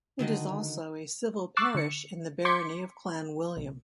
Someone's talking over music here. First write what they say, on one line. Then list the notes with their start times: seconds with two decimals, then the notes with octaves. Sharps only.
It is also a civil parish in the barony of Clanwilliam.
0.19 D3 D#3 F#4 D#5
1.57 C#6 D6 E6 F#6 A6 C7
1.75 D3 C#7
2.45 C6 D6 G6 G#6 B6 C#7
3.57 B1